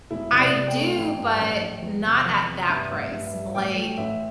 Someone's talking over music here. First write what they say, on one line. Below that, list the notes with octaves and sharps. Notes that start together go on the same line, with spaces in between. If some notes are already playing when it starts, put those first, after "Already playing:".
I do, but not at that price, like
E1 E4
C3 E5
D5
C3
G5
A3
A1
G2
A1
A1
E2
C3
E2
C3
G2 E5
A1
E5
G2
E5
G3
A1 G5
A3
A1 E5